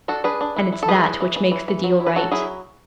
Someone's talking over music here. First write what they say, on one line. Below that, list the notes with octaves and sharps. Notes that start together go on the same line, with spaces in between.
And it's that which makes the deal right.
D4 F#4 A4
D4 G#4 B4
D4
E4
E4
A4
E3 G#4 B4
E4
E3
E3
E3
E3
F#3
E4
B4
F#3 F#4 A4
F#3 E4 G#4